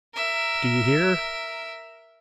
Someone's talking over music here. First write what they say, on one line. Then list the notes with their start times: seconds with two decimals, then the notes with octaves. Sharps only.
Do you hear?
0.14 A#4 E5